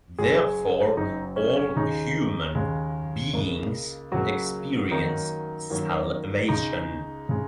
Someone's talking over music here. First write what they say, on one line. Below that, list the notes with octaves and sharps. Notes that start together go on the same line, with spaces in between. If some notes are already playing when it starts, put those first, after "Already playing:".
Therefore, all human beings experience salvation.
F#1 F#2 F#3 G#3 G#4
F#1 F#2 F#3 D#4
C#4
C#4
D#2 C#3 G#3 D#4
D#2 C#3 G#3
C#2 C#3 A#3
C#2 C#3 F#3 A#3 F#4
F#2 D#3 F#3 A#3 D#4
F#2 D#3 F#3 A#3
C#2 C#3 G#3 D#4
C#3 G#3